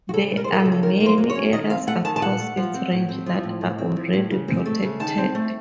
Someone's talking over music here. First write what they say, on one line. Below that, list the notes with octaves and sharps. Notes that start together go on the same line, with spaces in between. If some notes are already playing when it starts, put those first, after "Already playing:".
There are many areas across its range that are already protected.
F#4
C#3 A4
A3
A#4
C5
F3 A#4
A4
C#3
A4
D#3 A#4
A#3
C5
F#3
C#5
C#4
D#3 D#5
C4 F5
A3 F#5
D#3 A5
A5
A#2 F#5
A3
F3
C4
A2
C4
F3
A2
A2
C4
F3
A2
C#3
C4
A3
C#3
D#3 A5
C4
A3